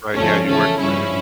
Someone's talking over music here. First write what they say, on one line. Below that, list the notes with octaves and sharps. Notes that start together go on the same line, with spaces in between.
Right, yeah, you work for him.
F2 D3 F3 A3 C#4
E2 C#3 F3 A3 C#4
G2 F3 C#4 E4